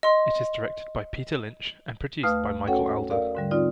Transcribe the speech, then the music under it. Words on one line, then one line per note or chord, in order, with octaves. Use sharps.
It is directed by Peter Lynch and produced by Michael Allder.
D#5 C6
D#2 A3 B4 F5 D#6 F6
C#4 F#4 A4 C#5 F#5 G5
A#4 D5 F5
G#2 D3 G3
C4 D#4 F4 D5